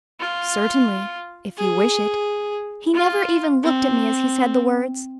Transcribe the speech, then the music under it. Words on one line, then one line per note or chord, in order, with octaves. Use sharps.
'Certainly, if you wish it.' He never even looked at me as he said the words.
F4
G#4
F4
C4